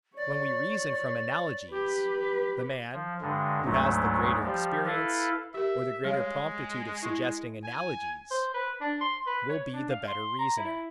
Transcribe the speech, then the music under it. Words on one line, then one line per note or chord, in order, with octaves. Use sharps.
When we reason from analogies, the man, who has the greater experience or the greater promptitude of suggesting analogies, will be the better reasoner.
C#5 D5
G4 B4
F3
G2 D3 G#3
D2 G#2 F#3 G#3 A3
F3 G3 G4
E4 A4 B4 F5
G4 A#4 E5
G3 G#3 C#5 F5
E4
G#5
C5
B4
D4
C6
B4
C#5
D4
F5
C6
A#5
E4